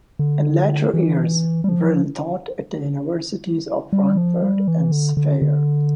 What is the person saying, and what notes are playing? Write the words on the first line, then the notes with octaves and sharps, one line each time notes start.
In later years, Brill taught at the universities of Frankfurt and Speyer.
D3
E3
G3
F3
G3
F3
G3
E3
D3
D3
D3